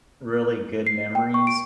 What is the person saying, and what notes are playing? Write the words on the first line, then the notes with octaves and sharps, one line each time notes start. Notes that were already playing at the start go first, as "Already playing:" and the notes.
really good memories,
C7
G5
C#6
D7